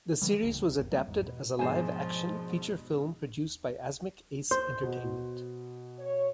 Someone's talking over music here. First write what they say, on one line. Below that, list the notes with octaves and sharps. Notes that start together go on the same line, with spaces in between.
The series was adapted as a live-action feature film produced by Asmik Ace Entertainment.
D3 E3 G3
D1 C#2 G2
F#1 D#2
C2 F#3 G3 A#3
A1 E2 G#2
B2
G#2 B2 F3 D4 C5 G#5
C5
B2
C#5